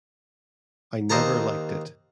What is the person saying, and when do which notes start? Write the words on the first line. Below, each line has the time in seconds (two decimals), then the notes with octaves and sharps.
I never liked it.
1.10 D#2 C5 D#5 A5 A#5